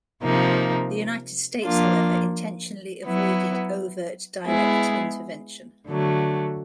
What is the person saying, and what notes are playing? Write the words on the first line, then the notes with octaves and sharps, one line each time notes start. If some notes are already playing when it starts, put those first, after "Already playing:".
The United States, however, intentionally avoided overt direct intervention.
C3 F3 A#3 D#4
F3 A#3 D4 F4
F#3 B3 E4
G#3 B3 E4 G#4
D3 F#3 A3